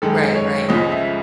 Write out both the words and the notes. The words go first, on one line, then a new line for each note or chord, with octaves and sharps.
Right, right.
F#2 D#3 G#3 A4
C#5
C#2 C#3 F3 G#3 D#5
E5